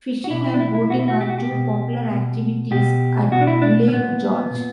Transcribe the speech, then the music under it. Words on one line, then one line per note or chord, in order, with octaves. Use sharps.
Fishing and boating are two popular activities at Lake George.
F#4
B2 E4
E4
D4
E4
E4
B2 F#4
E4
F#4
G4
F#4
G4
B2
B2
B2 G4
B2 F#4
D4
E4
D4
C#4
A#2 B3
A#2